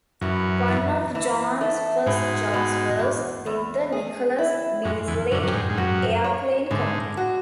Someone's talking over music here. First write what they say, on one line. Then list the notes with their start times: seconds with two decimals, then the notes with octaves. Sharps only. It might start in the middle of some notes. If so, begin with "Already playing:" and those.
One of Jones' first jobs was with the Nicholas-Beazley Airplane Company.
0.21 F#2 E3
0.68 E3
1.15 E3
1.61 A3
2.06 G#2 B2
2.54 B2
2.99 E2
3.46 E2
3.92 G#4
4.38 E4
4.85 F#2 G#3
5.08 E2
5.31 F#2 D3
5.44 F#2
5.54 G#2
5.70 G#2
5.77 F#2 F#4
6.24 C#5
6.71 G#2 D3
7.17 F#4